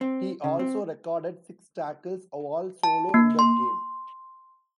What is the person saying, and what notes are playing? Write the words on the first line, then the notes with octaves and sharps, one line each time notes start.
He also recorded six tackles, all solo, in that game.
C4
C#3
C4
A5
A#3
C6